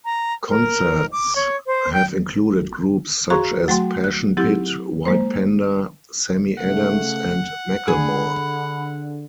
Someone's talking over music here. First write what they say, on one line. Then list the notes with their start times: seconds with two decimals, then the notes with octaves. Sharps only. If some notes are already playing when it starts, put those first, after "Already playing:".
Concerts have included groups such as Passion Pit, White Panda, Sammy Adams, and Macklemore.
0.05 A#5
0.49 A#4
1.12 D6
1.36 C#5
1.67 C5
1.93 G5
3.30 F#4 G#4 F5 A#5 C6 C#6
3.68 F#3 A3 F#4 G5 C6
4.04 F#6
4.37 F#3 C4 E4 G4
5.05 G#3 A#3 C5
6.58 C#3 A3 F#5
7.88 D3 G#4 B5